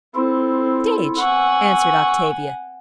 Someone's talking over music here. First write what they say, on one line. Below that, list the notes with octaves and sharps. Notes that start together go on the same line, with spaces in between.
"Stage," answered Octavia.
C4 E4 F4 A4
F#5 G#5 C#6 E6